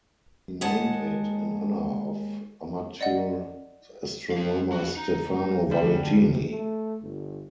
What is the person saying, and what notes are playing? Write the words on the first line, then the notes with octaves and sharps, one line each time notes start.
He named it in honour of amateur astronomer Stefano Valentini.
D#2 G#3 F#5 A5
D5 D#5 F#5
C4 F5
B3 F#4
D#4
D2 G3
A3
G1